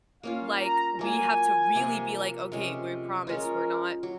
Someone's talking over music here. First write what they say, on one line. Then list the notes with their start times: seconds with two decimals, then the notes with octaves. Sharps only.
like, we have to really be, like, "Okay, we promise we're not
0.23 A#3 C#4 F4 F5
0.62 A#5
0.99 F#3 A#3 F4 G#5
1.75 C3 F3 A#3 F4
2.52 C3 F3 G#3 C#4
3.27 G#3 C#4 F4 A#4
4.03 F#3